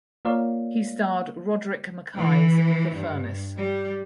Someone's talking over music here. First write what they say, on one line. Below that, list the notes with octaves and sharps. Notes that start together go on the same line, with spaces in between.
He starred Roderick Mackay’s "The Furnace".
A#3 F4 A#4 C#5 D5 F5
E3
G2
G3